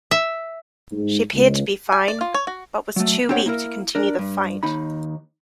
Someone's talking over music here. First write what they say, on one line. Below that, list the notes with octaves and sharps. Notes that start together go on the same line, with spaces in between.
She appeared to be fine, but was too weak to continue the fight.
E5
G#2
C#2
G#5
D5
F4
C#5
F#4
F#3 A3
C4 D4 G4 C#5 F#5
A#3 E4 A#4
D4 A#4
G2
D#2 D#4 B5